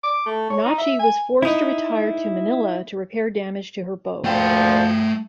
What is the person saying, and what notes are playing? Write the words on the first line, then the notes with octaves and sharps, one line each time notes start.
"Nachi" was forced to retire to Manila to repair damage to her bow.
D6
A3
C#5
D#4
E5
G#5
D#4 E4
D2 A#2 F3 A3 G5